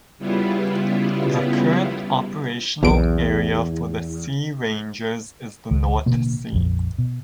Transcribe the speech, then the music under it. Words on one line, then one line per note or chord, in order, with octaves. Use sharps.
The current operational area for the Sea Rangers is the North Sea.
C#3 G3 B3 E4 F4
B1 E2 D7
C#2 D#3
A1 B2 D3 A#3
A#1 F2
B2